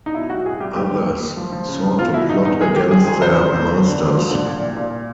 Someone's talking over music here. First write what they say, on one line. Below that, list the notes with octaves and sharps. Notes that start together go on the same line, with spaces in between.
Others sought to plot against their masters.
D#4
B2 E4
C2 F#4
C2 G#4
C2 G4
D#2 G4
D#2
D#2
D#2
F3
F3
C#3
F3
B2 F4
B2 E4
B2 D#4
E2 D#4
G#3 G#4
G#3 G4
F3 G#4
D2 G#4
C#3 C5
F1
F2
F2
D3
D2
F3
D3
A#2
C2
A#2